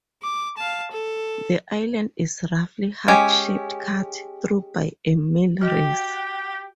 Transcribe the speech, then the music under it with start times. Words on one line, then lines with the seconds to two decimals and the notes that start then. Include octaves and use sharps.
The island is roughly heart-shaped cut through by a millrace.
0.23 D6
0.58 F5 A5
0.92 A4
3.08 G#3 C#4 G4
5.61 F#4 G4 D#5 G5